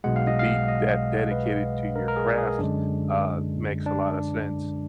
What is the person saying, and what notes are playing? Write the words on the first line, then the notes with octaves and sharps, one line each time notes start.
to be that dedicated to your craft, uh, makes a lot of sense,
B1 B2 G#3 F#5
F5
D#5
F5
D#5
B4
A#4
A#4
G#4
G#4
F#2 D3 G#3 D4
D4